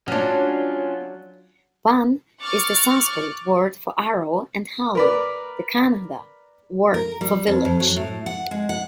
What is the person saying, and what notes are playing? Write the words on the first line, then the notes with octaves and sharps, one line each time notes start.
"Ban" is the Sanskrit word for 'arrow' and "Halli" the Kannada word for 'village'.
F#3 C#4 D4 F4
C#6 D6 F6 F#6 A6 C#7
A#4 B4 D5
A#4
G3
F2
F2
F#3
A2
F#5
G#3
F#5